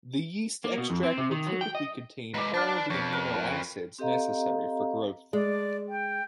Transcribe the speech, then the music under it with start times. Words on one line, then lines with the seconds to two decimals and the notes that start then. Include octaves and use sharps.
The yeast extract will typically contain all the amino acids necessary for growth.
0.64 A#3
0.77 B2
0.90 F2
1.03 C4
1.18 C3
1.31 D#3
1.47 F#3
1.61 G5
1.75 D#5
2.34 G#3 B4 A#5 D6
2.54 D4 B4 D5 F5 A5
2.90 F2 C#5
3.13 A#4 B4
3.99 C4 G4 A4 D#5 F5 A#5
5.33 G#3 D5
5.89 G5